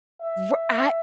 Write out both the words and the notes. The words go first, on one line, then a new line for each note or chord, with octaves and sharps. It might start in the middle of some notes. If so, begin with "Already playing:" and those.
r I
E5